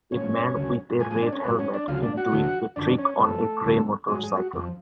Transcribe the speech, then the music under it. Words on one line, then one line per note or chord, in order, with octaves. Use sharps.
A man with a red helmet in doing a trick on a gray motorcycle.
G#2 F3 C#4 C#5
D2 C#3 F#3
A2 F3 G#4 G#5
G#4 G#5
D4 D5
C#4 C#5
A2 F#3 B3 B4
C#4 C#5
D4 D5
D2 C#3 F#3 F4 F5
D4 D5
F#4 F#5
D2 D3 F#3
F#2 D3 F3 D4 D5
C#4 C#5
F#2 F3 A3 A4
D2 D3 F#3
G#2 F#3 G#3 G#4
G#3 G#4
F#4
F2 F3